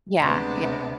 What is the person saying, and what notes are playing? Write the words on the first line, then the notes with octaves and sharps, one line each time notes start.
Yeah, ye
D2 C3 G#3 B3 D4